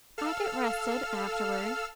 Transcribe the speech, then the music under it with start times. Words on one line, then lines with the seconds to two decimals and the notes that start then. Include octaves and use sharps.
"I get rested--afterward."
0.18 A4 F5 E6 F6